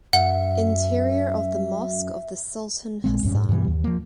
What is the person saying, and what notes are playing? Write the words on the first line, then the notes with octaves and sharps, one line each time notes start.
Interior of the Mosque of the Sultan Hassan.
F#2 E5 F#5
A#1 G#3 C4
D1 G2 C#4
G#2
G2 B2 E3 G3
D#2
F3 A#3